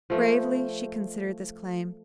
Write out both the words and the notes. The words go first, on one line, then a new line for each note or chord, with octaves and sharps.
Gravely she considered this claim.
F3 A3